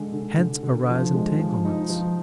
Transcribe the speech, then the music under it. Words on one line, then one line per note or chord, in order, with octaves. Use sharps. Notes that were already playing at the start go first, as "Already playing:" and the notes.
Hence arise entanglements.
Already playing: D3 G#3
D3
D3
D3
F3
G#3
F3
D#4
F3